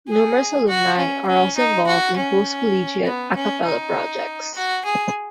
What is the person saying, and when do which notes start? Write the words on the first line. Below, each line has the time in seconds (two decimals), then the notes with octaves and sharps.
Numerous alumni are also involved in post-collegiate a cappella projects.
0.08 G#4
0.68 F#4
0.97 C#4
1.27 C#4
1.57 D#4
1.87 F#4
2.17 C#4
3.06 B3
3.36 C#4
3.66 D#4
4.55 F#4
4.85 G#4